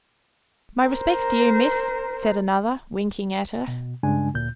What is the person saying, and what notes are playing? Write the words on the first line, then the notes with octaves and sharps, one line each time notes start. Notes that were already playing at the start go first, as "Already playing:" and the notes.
"My respects to you, miss," said another, winking at her.
A#4 C5
B2
G2 C#3 G#3 D4 G#5
D2 A#2 G6